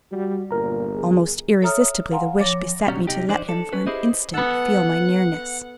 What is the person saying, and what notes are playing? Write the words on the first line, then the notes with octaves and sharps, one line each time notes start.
Almost irresistibly the wish beset me to let him for an instant feel my nearness.
G3 F#4
G1 A#2 A#4 A#5
G#4
A4 C#5 E5 A#5 D#6 F6
F5 F#5 G#5 A#5 C6
F3 C#5 D6 A6 A#6
B2 F#3 G3 C#4
C3 D#4 G4
E3 D4 D#4 C5 D5
A4
C#4 B4
E4 G4 G#4 C5 D#5
B3 A4 F#5